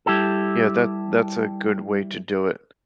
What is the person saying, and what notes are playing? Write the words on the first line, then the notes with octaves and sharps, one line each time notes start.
Yeah, that that's a good way to do it.
G3 E4 G4 A4